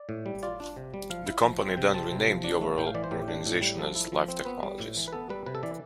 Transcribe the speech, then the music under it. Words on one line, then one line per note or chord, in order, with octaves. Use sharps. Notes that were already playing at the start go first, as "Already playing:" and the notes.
The company then renamed the overall organization as Life Technologies.
Already playing: D5
A2
G3
F4 D5
D4
C3
G3
F3 F5
E4
F3
C4
C3 G5
C4 A5
C3
F3
D4
A3
A2 G5
F5
E3 D5
C5
A2 G4
D4
A2
G3
F3 A4
E4
F3
C4
B3 B4
G3
A2
E3
B4
B3 A4
G3 B4
C3 B4
A4
E3 D5